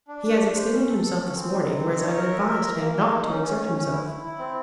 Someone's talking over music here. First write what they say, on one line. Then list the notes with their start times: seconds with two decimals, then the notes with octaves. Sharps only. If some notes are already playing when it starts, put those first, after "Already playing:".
He has exerted himself this morning, whereas I have advised him not to exert himself.
0.08 D4
0.24 D4
0.40 D4
0.55 C5
0.72 C#4
0.88 A4
1.04 A4
1.20 C#4
1.35 C4
1.52 D#4
1.68 C4
1.84 D#4
1.99 C#5
2.16 A#4
2.31 E5
2.47 A#4
2.64 A#4
2.80 A#3
2.95 A#3
3.11 D#4
3.28 C#4
3.43 C#4
3.59 C#4
3.75 C#4
3.92 E4
4.07 E4
4.23 E4
4.39 C4